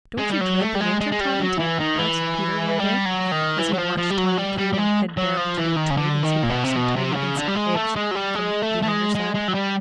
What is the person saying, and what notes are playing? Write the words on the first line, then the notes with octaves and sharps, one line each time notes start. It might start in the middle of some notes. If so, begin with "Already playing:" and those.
"Don't you dread the winter, Tommy Tit?" asked Peter one day, as he watched Tommy clinging head down to a twig as he picked some tiny insect eggs from the under side.
G#3
G3
F#3
A3
G3
G#3
G#3
G#3
G3
F#3
E3
D#3
E3
G3
F#3
D#3
E3
F#3
F3
F3
G3
F#3
G3
G3
G3
G#3
F#3
F3
E3
D#3
C#3
D3
D#3
A#2
B2
C3
B2
C3
D3
C#3
D3
G3
G#3
A3
G#3
F#3
G3
G#3
A3
A3
G#3
G#3
G#3
F#3
G3